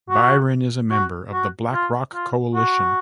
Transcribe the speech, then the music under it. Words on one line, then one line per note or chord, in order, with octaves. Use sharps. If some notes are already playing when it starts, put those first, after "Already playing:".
Byron is a member of the Black Rock Coalition.
F#4
F#4
F#4
F4
F4
F#4